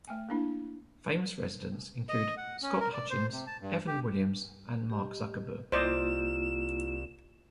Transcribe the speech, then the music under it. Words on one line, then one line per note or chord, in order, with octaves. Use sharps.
Famous residents include Scott Hutchins, Evan Williams and Mark Zuckerberg.
A3 G5 G#5
A#3 D4 E4
D#5
F#5
C#4
A#4
D5
C5
C3
A5
G2
G4
G4 D#5
C2 A#3 E4 F4 C5 D5 D#5 E7